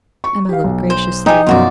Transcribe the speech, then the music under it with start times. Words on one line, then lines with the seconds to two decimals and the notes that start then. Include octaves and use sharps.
Emma looked graciously.
0.24 C#6
0.49 G4 F5
0.64 B1
0.90 C5
1.26 D#4 G4 G#4
1.47 F#2 B2 F3 F4 F#4 D5